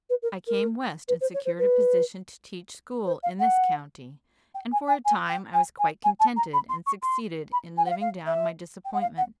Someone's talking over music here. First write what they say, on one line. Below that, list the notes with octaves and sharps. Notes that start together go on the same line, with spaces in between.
I came west and secured a position to teach school in this county, and for a time I was quite contented and succeeded in living down my disappointment.
B4
A#4
A#4
B4
C5
C#5
C5
B4
C5
F5
F#5
G5
G#5
G#5
G#5
G5
G#5
G#5
G#5
A5
A#5
B5
C6
C#6
C6
B5
G#5
F#5
F5
F5
E5
G5
F#5
F5
F#5